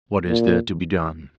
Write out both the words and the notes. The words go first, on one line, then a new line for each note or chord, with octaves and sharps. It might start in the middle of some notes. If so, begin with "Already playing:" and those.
What is there to be done?
A#2